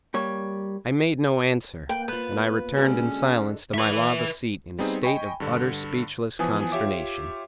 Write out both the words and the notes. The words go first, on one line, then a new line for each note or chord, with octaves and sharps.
I made no answer; and I returned in silence to my lava seat in a state of utter speechless consternation.
G3 A#3 C#5
A#3 B4 G5
B3 F4 B4
D3 G#3 C#4 F#4
B4 E5
G3 B3 C4 D#4 G#4
D#5 G5 G#5 B5 C#6
G2 D3
E3 F3 B3 G#5 D#6
F4 G4 C#5 E5 D6